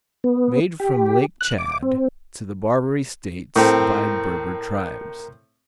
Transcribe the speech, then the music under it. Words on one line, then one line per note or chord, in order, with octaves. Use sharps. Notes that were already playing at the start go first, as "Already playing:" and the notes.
Made from Lake Tchad to the Barbary States by Berber tribes.
B3
G4
F#6
D6
C4
A2 C4 A#4 A#5